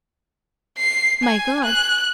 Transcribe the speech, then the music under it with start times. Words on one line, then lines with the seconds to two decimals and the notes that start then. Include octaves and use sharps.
"My God!"
0.79 C7
1.23 G#5
1.64 F#6